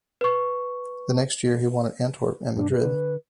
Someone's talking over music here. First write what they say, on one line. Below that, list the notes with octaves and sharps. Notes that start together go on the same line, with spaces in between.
The next year he won at Antwerp and Madrid.
B4 C#6
G2 D4
B4
D3